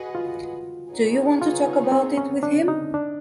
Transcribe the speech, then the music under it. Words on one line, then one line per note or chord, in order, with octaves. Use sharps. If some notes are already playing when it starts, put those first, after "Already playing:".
Do you want to talk about it with him?
Already playing: F#4 G#4 B4 D#5 F#5
F4
B3 D#4 G#4 C#5
F4
C4
C#4
D4
D#4
D4